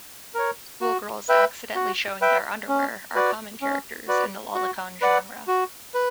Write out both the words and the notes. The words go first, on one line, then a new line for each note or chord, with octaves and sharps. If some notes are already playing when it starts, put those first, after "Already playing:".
Schoolgirls accidentally showing their underwear are common characters in the lolicon genre.
A#4 C#5
F#4
B4 E5 G5
F#4
B4 E5 G5
C#4
F#4 B4 D5
C#4
F#4 B4 D5
F#4
B4 D5 F#5
F#4
B4